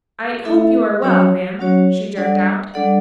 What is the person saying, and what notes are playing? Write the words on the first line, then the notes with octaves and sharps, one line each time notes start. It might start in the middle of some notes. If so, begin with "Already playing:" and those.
"I hope you are well, ma'am," she jerked out.
A3 E4 A4 E5
F#3 C#4 F#4 C#5
F#3 C#4 F#4 C#5
G3 D4 A4 D5 F#5
G3 D4 A4 D5 F#5